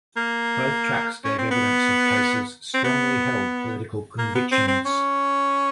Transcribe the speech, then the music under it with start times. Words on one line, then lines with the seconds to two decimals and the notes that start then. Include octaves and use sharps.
Both tracks gave evidence of Case's strongly held political convictions.
0.16 A#3
1.25 C#4
1.38 C4
1.51 B3
2.74 C4
2.84 B3
4.18 A#3
4.35 B3
4.52 C4
4.68 C4
4.85 C#4